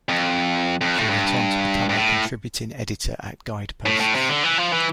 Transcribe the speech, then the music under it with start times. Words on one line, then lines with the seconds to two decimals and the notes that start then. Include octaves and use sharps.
She went on to become a Contributing Editor at "Guideposts".
0.09 F2
0.81 F2
0.98 A2
1.10 G2
1.89 G2
1.97 A2
3.86 A2
4.00 A2
4.15 C3
4.29 D3
4.44 E3
4.58 F3
4.72 E3